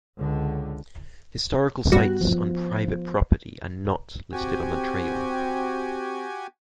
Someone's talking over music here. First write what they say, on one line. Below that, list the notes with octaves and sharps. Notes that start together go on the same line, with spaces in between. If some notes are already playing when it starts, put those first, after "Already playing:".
Historical sites on private property are not listed on the trail.
C#2 D3
G2 G3 B3 F#4
F3
C4 F#4 G4 G#5